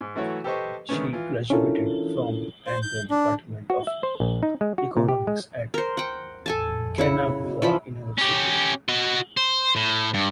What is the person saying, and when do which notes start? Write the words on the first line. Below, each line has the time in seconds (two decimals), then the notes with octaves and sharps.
She graduated from and the department of economics at Kanagawa University.
0.01 G#2
0.15 E3 F#3 A3 E4 F#4 C#5
0.44 G4 A4 B4 C5 D#5 C#6
0.89 D3 D#3 G#3 A3 B3 C#4
1.13 E3 F4
1.50 C#4 D4 E4 F4 A4 A#4
2.67 C5
2.82 G6
3.10 D4
3.70 F#4
3.87 E5
4.03 C5
4.20 A#1
4.43 D#4
4.61 G#3
4.78 F#4
4.97 A#2
5.09 G4
5.27 G#3
5.74 A#4 C5
5.97 F#5 G5
6.46 A4 G#5 A5
6.98 C#3 E4 F#5
7.62 E3 F3 B5
8.18 C#4 G4
8.89 F#4 D#5
9.37 C5
9.76 A2
10.14 G2